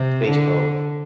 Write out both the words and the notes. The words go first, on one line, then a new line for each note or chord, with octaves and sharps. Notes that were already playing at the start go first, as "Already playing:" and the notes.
space probe,
Already playing: C3
D3